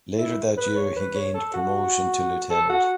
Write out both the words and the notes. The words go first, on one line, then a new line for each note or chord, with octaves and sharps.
Later that year he gained promotion to lieutenant.
E4
B4
C#5
B4
C#5
A4
F#4
A4
F#4